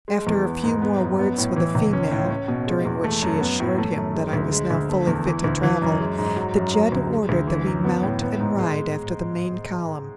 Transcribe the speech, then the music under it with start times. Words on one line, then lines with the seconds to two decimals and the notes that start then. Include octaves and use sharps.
After a few more words with the female, during which she assured him that I was now fully fit to travel, the jed ordered that we mount and ride after the main column.
0.08 G#3
0.27 E2
0.45 B3
0.64 G#2
0.82 B3
1.01 F#2
1.19 B3
1.38 A2
1.56 E3
1.75 C#2
1.93 C#4
2.11 A2
2.30 C#4
2.48 B2
2.67 G#3
2.85 E2
3.04 A3
3.22 F#2
3.41 B3
3.60 A2
3.78 A3
3.97 F#2
4.15 G#3
4.33 D2
4.52 G#3
4.71 D2
4.89 A3
5.07 E2
5.26 E3
5.44 D2
5.63 E3
5.82 F#2
6.00 G#3
6.19 G#2
6.37 F#3
6.55 F#2
6.74 F#3
6.92 D2
7.11 G#3
7.29 D2
7.47 E3
7.67 F#2
7.85 B3
8.03 A2
8.22 B3
8.40 G#2
8.59 G#3